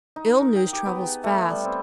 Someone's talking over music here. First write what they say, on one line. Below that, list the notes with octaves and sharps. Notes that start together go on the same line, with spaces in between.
Ill news travels fast.
D#4
A#4
A#4
G5
G4
B3
G#4
A3
G3
C4